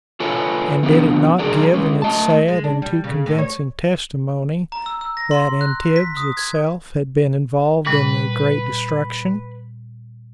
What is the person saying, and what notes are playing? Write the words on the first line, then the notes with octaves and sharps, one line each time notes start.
And did it not give in its sad and too convincing testimony that Antibes itself had been involved in the great destruction?
F4 A4 B4 C#5 G#5
F3 B3 C4 D4
F#3 G#4 A#4 D5
G#3 C#4
A3 D#5 A5
G#3
D4
G3
C#3
A2
C#5
A#5
E6
E6
A#6
C6
F#6
B6
D#6
G#6
A#2 G3 B4